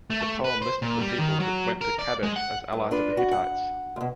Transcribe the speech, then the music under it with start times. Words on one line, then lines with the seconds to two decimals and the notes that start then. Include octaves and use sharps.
The poem lists the peoples which went to Kadesh as allies of the Hittites.
0.10 A3
0.22 A3
0.44 B4
0.62 C5
0.82 A#2
1.00 G3
1.19 D#3
1.40 F#3
1.81 A#4
1.99 D5
2.23 G#3
2.36 F#5
2.73 G2
2.91 D4 F4 B4
3.17 F#4
3.31 F#5
3.96 D2 B2